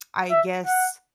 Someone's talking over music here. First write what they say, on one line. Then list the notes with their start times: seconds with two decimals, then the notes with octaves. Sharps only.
I guess,
0.30 E5
0.66 F#5